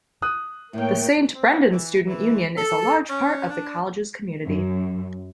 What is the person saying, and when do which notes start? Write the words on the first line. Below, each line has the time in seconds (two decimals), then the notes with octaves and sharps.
The Saint Brendan's Student Union is a large part of the college's community.
0.22 D#6 F#6
0.73 A2 A#3 A#4 C#5 G5
1.33 C4
1.70 E3
2.07 E3
2.57 A4
3.09 C#4
3.49 D4
4.48 F#2